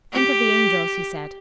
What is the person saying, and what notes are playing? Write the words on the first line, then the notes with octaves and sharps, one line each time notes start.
"Think of the angels," he said.
G4